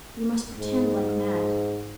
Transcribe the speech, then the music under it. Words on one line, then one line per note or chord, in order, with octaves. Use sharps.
We must pretend like mad.
G#2